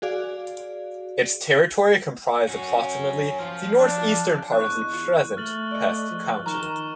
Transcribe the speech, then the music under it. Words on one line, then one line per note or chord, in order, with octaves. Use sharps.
Its territory comprised approximately the north-eastern part of present Pest County.
F#4 G#4 D5 F5
C#4 F#4
F3
D4
E2 D4 C5 D#5 C#6 F#6
F4
A3 F6 A6 F#7
D5 D#5
F3
D#3 A#5 C#6 F6 E7